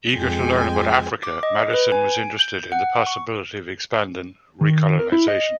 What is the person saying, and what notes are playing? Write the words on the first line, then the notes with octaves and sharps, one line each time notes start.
Eager to learn about Africa, Madison was interested in the possibility of expanding recolonization.
F2 G#3 G5 G#5
D6
D#5
B4
G#5
D7
G6
F#5
C#6
D#3
A#4
E4
D#5